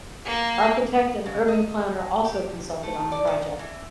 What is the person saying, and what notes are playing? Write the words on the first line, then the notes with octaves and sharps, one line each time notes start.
Architect and urban planner also consulted on the project.
A#3
C#3
D#5
G4
A3
D5
D#3
E3